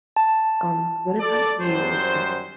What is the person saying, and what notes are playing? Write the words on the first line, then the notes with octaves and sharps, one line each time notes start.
Um, what about you with it?
A5
A4 D5
F#2 G3 C5